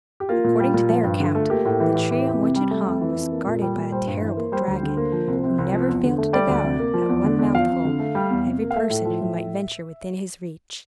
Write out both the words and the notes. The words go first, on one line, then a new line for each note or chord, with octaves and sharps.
According to their account, the tree on which it hung was guarded by a terrible dragon, who never failed to devour, at one mouthful, every person who might venture within his reach.
G4
A#3 F4
A#2
G3
A#2
F3
G2
D3
A3
A#3 G4
A2
E3
A2
E3
F2
C3
G3
A3 A4
F2
E3
F2
A#3
A#2
G3
A#2
G3 C5
G2
E3
A#3
G3 C5
D2
D3
A#3
F3
C2
C3
C2
F3
E2
D3
A3
G3 D5
D2
C3
A#3
F3
E2
D3
E2
F3 F5
F2
D3
A3
G3
E2
C3
A#3
F5
A3 E5
A2
F3
A2